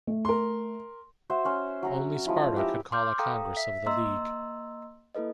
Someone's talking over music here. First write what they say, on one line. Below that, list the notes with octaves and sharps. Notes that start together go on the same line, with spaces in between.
Only Sparta could call a Congress of the League.
A3
A#4 C6
F#4 C5 E5
C#4 C5
F#3 C#4 A#5
F3 G#3 E4
G4 E5 A#5 E6
C6 D6 F6 G6
A4 F5 G5 A#5 D#6
E5 B6
A#3 D#5 A#5 C6 E6
A#3 E4 A4 B4 D#5